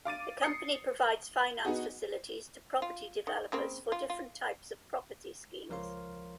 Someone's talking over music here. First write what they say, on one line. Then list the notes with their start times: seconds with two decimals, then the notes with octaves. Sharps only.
The company provides finance facilities to property developers for different types of property schemes.
0.05 F5 D6 A6 D#7
0.42 D#6 C7 C#7
1.65 B3 D#4 F#4 G#4
2.82 F4
3.27 D#3
3.52 C#3 A#3 C4
3.92 F4
4.10 F4
5.69 C#2 F3 A#4 C#5 F5 C6